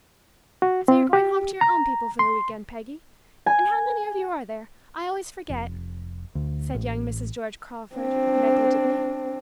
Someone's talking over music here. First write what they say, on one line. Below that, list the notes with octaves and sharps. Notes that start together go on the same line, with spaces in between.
"So you're going home to your own people for the week end, Peggy?--And how many of you are there,--I always forget?" said young Mrs. George Crawford, negligently.
F#4
C4
G4
A#5
C6
G#5
F1
D2
A1
C4 D4